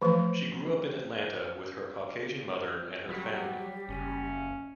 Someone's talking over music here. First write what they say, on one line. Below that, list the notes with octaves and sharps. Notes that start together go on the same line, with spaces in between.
She grew up in Atlanta with her Caucasian mother and her family.
E3 F3 A3 C5
F#3 G3 G4
F#1 C#4